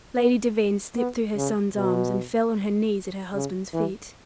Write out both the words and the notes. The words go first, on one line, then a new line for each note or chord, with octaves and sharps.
Lady Devine slipped through her son's arms and fell on her knees at her husband's feet.
B3
B3
C#3
B2
C#3
E3